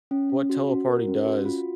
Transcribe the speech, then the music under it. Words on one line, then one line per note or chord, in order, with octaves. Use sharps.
what Teleparty does
C#4
C#4
F#4
F#4
A#4
C#4
F#4
F4